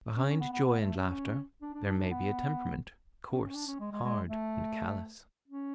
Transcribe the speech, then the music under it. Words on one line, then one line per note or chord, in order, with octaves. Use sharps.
Behind joy and laughter there may be a temperament, coarse, hard and callous.
C#4
C#4
B3
B3
B3
A3
C#4
D4
D4
D4
D4
B3
C#4
C#4
D4
C#4
G#3
G#3
G#3
A3
C#4